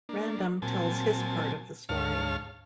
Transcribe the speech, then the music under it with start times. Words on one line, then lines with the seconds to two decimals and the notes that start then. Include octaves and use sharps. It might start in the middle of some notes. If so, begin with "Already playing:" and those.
Random tells his part of the story.
0.09 A#3 D4
0.62 A#2 F#3 C4 G#5 A5
1.89 D2 G#2 C#5 F5 A5 F6